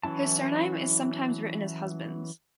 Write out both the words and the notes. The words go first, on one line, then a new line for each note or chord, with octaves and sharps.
His surname is sometimes written as Husbands.
E3 F#3 C#4 E4 A5